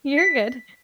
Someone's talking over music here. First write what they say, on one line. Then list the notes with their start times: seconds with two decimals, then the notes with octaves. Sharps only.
You're good.
0.17 B6